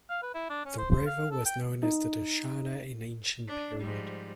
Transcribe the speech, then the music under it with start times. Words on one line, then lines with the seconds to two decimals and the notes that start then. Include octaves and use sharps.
The river was known as the "Dasharna" in ancient period.
0.10 F5
0.23 B4
0.34 E4
0.50 D4
0.66 C#4
0.78 C5
0.91 C5
1.06 F5
1.31 A4
1.45 G5
1.83 D#4
3.48 D4
3.81 G#2 F3 G3